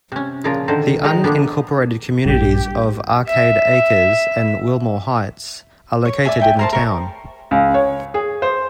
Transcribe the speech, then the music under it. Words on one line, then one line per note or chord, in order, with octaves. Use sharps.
The unincorporated communities of Arcade Acres and Wilmoore Heights are located in the town.
C3 C#4
A#2 C#3 F3 F4 A#4
D3 D#3 A#4 C5
D#3 G#3 D#5 G5 A#5
D3 F3 A#3 B3 D4
A#1 G2 G4
E5
C#5
D5 E5 G#5
E5 G5 G#5
A#4 C5 A5
A#4 C#5
C#2
C#5
G#4
C5